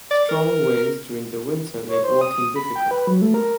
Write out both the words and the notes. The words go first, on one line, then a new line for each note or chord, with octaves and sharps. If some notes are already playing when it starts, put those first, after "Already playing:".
Strong winds during the winter make walking difficult.
D5
A#4
C#5
C5
D#6
B5
G5
B4
F#3
A3
A#4